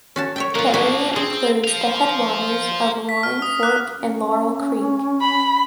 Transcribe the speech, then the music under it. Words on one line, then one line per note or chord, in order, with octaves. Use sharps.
The area includes the headwaters of Roaring Fork and Laurel Creek.
C#4 F#4 A5
C#5 E5 G5
A#3 F4 F#4 A#4
F3 A#3 F#4 B4 G#5
C4 G#4
C5 F5
B6
F6
D#6
F#6
C#4
B5